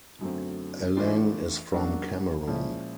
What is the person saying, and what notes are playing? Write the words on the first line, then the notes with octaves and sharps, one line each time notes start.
Alang is from Cameroon.
F#2 D3 F#3 A3 C4
E3 A3 D4 F4
C#3 F#3 A#3 D4 F#4
A#2 F3 G#3 C#4 E4